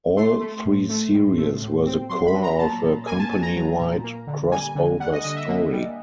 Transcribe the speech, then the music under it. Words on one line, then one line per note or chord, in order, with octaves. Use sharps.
All three series were the core of a company-wide crossover story.
A3 C6
A3
A2
A3
A2
A3
A2
C4
F#3 C6
B5
F#3
A#5
A#2 A5
A#2
A#3 G#5
A5
F#3 G#5
A#5
F#3
A#2
A#3
D3
G3 G#5
D3
G3 F#5
D#5
D3 D#5
E5
A#3
G3